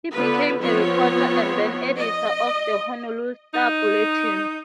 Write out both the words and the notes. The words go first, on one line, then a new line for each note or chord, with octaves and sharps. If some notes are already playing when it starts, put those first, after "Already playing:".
He became a reporter and then editor of the "Honolulu Star-Bulletin".
D3 B3 F4 B4
F3 B3 C4 C#5
D#5
D#4